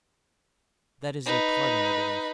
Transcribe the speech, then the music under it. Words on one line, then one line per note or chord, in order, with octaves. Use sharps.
That is their cardinal belief.
D#4 B4